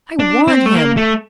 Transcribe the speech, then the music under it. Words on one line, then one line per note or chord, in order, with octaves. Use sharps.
I want him.
D4
C4
A3
A#3
A3